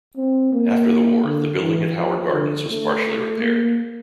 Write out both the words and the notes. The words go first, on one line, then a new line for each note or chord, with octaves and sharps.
After the war the building at Howard Gardens was partially repaired.
C4
A#3
D3
E3
F3
D3
A3
A#3